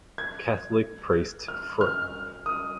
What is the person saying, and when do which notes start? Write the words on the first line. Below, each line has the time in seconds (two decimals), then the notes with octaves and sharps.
Catholic priest Fr.
0.18 G#6
1.48 F6
1.81 F6
2.46 D#6